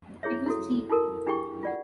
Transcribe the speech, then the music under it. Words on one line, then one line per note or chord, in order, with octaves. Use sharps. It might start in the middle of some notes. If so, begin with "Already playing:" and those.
It was cheap.
E4 G#4 C#5 E5
E4 F#4 A4
D#4 E4 F#4 A4 A#4
D4 E4 G4 G#4 G5 C#6
F4 D5 F#5